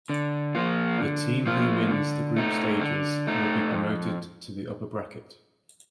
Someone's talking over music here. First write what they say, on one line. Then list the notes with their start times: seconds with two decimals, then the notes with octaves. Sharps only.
The team who wins the Group Stages would be promoted to the Upper Bracket.
0.10 D3
0.55 F3 A#3 F4
1.00 D3
1.46 F3 A#3 F4
1.90 D3
2.36 A3 D#4
2.81 D3
3.27 A3 D#4
3.72 F2